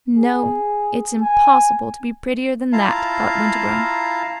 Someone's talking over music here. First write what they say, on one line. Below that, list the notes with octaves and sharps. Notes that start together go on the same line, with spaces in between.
No; it's impossible to be prettier than that, thought Winterbourne.
G#4
G#5
E4 F4 F5 A5 A#5